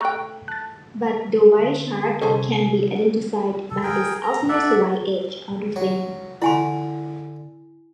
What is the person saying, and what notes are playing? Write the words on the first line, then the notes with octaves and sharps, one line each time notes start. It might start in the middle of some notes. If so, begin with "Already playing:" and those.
But the white shark can be identified by its obvious white edge of the fin.
A3 G5 A#5 C#6 F#6
A5 F#6 A6
D3
C3 G3 C#4 G#4 A4 C5 D#5 A5
A4
G#4 A#4 G5
A#5
A4 D5 E5 F#5
F#3
D3 E4 G#5 C6